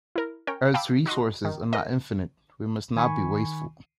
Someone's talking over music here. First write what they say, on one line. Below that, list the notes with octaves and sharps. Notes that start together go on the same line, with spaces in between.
Earths resources are not infinite, we must not be wasteful.
E4 A#4
C#4 A#4 C#5 G5
F5 G5 A5 B5 D6 E6
D#4 F#4 D#5 C6
D#3
A#4 D#5
D#3 G#5 B5 C#6